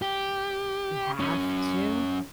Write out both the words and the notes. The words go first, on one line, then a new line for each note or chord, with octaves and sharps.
We have to?
G4
F#3 C#4